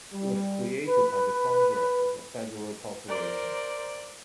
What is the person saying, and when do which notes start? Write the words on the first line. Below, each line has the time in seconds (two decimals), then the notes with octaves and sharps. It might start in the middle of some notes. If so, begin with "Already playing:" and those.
It was created by the Congress as a Federal Corporation.
0.13 G3
0.88 B4
3.08 A#4 C5 D5